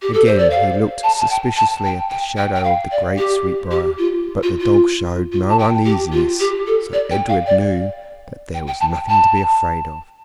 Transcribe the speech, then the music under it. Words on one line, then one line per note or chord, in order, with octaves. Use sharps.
Again he looked suspiciously at the shadow of the great sweetbrier, but the dog showed no uneasiness, so Edred knew that there was nothing to be afraid of.
G4
A4
C5
D5
F5
A5
A5
G5
A5
G5
G5
G5
G5
F5
D5
G4
G4
F4
F4
F4
F4
A5
G5
G4
F4
G4
A4
D5
G5
F5
D5
G5
G5
A5
G5
A5